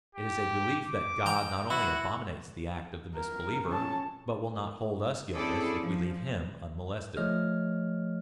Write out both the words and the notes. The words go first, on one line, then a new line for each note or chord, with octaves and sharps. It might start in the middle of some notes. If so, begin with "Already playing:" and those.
It is a belief that God not only abominates the act of the misbeliever, but will not hold us guiltless if we leave him unmolested.
G4
D6
G5 A#5
E4 F#4
A#4
C#4 A5
C4 C#4 E4 G#4 A4 D5
F3
F3 A3 C#5 D#5 F6